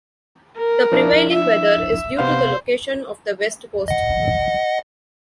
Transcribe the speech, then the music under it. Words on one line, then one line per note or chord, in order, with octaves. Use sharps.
The prevailing weather is due to the location of the West Coast.
A#4
F3 D4 E4
E5
C3 B3 C5 F5
D#5 F#5